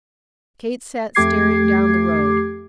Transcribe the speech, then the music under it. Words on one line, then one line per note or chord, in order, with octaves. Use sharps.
Kate sat staring down the road.
F2 A3 G4 D6 G#6 C7